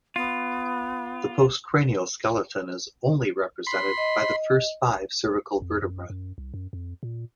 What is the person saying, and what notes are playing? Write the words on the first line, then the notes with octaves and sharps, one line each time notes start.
The postcranial skeleton is only represented by the first five cervical vertebrae.
B3 F4
B5 C6
D#5
F2
F#2
F#2
C2
F#2
F2
A#2